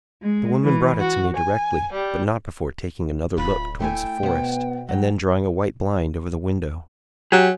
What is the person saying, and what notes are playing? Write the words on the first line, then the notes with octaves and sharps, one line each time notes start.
The woman brought it to me directly, but not before taking another look towards the forest, and then drawing a white blind over the window.
G#3
E3
F#4
G#5
G3
D1 F4 B5
A3 E4 G5 G#5
B2 B3 C5 F#5
F#3 G5
F#3 G4 G#4